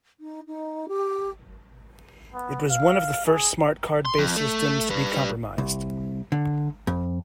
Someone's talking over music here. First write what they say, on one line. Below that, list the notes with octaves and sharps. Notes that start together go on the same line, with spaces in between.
It was one of the first smart card based systems to be compromised.
D#4
D#4
G4
B3
F5
G#4
C6
F2
A3
G3 B4
C2
D3
F2